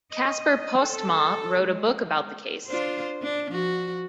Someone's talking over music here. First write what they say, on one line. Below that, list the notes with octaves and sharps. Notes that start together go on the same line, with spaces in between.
Casper Postmaa wrote a book about the case.
D#5
A4
G#3
D4 F4 C5
D4
F3 F#4